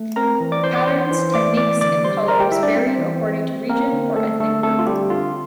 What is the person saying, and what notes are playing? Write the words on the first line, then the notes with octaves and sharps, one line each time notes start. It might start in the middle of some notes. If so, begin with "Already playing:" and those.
Patterns, techniques and colors vary according to region or ethnic group.
Already playing: A3
C4 A#4 A#5
E3
D5 D6
E3 C5 C6
D5 D6
E3 C5 C6
E3
A3 D5 D6
E3 D5 D6
D3 D5 D6
G3 C5 C6
G3 A#4 A#5
G4 G5
G3 E4 E5
D4 D5
C4 C5
E3
C4
C4
A#3 C4 A#4
D3
A3 A4
D3 A3 A4
A3 C4 A4
F4
D3 G3 G4
D3 F4